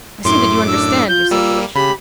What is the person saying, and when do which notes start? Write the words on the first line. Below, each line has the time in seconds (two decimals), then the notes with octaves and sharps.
I see that you understand your situation.
0.24 F#2 A2 E4 C6 D6
0.67 D4 E6
1.08 F4 G6
1.31 G3 A#3 E6
1.75 C#3 G4 B5